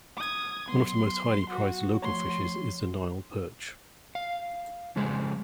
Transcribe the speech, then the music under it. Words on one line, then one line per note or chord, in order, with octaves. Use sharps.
One of the most highly prized local fishes is the Nile Perch.
D#6 G#6
F#3 B3 C6
F#4
F3 A3 C#5 C6
F5
F2 C#3 G#3 A4 C5